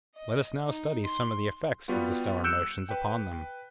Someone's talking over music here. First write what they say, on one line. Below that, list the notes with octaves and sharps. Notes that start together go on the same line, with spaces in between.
Let us now study some of the effects of the stellar motions upon them.
D#5
D#4
C6
G3 B3 F4 F#4
E6 F#6 G6 C#7 D7 E7
B4 G5